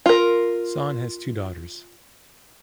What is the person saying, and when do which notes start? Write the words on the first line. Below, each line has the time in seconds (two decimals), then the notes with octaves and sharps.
Sohn has two daughters.
0.06 F4 A#4